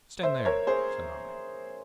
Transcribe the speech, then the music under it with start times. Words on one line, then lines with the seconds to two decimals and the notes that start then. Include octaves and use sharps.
"Stand there," said I.
0.23 C5 E5
0.45 A#4 C#5
0.67 G#4 C5